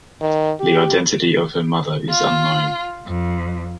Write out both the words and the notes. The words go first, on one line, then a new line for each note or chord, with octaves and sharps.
The identity of her mother is unknown.
D#3
G4
F4
F2